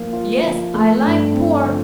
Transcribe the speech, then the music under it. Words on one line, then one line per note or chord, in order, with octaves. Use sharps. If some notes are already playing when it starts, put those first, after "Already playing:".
Yes, I like Por ...
Already playing: F3 A#3
F4
F3
A3
G2
C4
F3